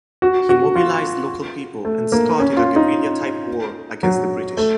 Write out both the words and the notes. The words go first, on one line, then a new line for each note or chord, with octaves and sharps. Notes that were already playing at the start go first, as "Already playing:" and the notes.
He mobilised local people and started a guerrilla type war against the British.
F#4
F#4
F4
A3
A#3
C#4
F4
D#4
F#3
A3